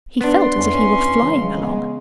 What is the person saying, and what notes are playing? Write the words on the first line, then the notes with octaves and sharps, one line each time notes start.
He felt as if he were flying along.
B3 D4 C6
F2 E3 C#4
C#3 E3 G#3
B3